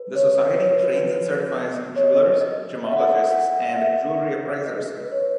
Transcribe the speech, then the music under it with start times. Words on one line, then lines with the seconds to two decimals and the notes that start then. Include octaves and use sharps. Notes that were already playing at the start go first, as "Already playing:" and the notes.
The Society trains and certifies jewelers, gemologists, and jewelry appraisers.
Already playing: B4
0.15 C#5
0.52 B4
0.60 C#5
0.72 B4
0.83 F#4
0.94 F#4
1.96 C#5
2.03 D#5
2.12 C#5
2.41 D#5
2.86 E5
2.93 F#5
3.01 E5
3.32 F#5
3.76 E5
4.66 D#5
5.00 B4
5.12 C#5